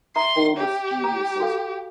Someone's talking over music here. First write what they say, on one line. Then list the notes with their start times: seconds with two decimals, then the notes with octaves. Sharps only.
full mischievousness.
0.16 E5 A#5 C6
0.57 G4 C#5
1.04 A#5
1.40 F#4 A4 F5